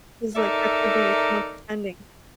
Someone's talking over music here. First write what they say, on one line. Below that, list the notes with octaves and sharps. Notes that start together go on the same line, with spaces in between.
'Cause like that could be someone pretending.
D#4 A4 A#4 D5 E5